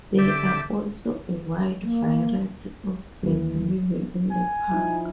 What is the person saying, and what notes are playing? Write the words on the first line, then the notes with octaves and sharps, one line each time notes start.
There are also a wide variety of birds living in the park.
D3 G4 A4 E5 D6
A#3
D#2 E3
G#5
F3 D#4 E4